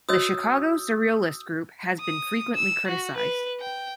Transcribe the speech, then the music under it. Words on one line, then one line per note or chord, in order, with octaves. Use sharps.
The Chicago Surrealist Group has been frequently criticised.
F#4 C#5 D#5 D#6 E6 G6
D#6
E6
F#4
B4
G5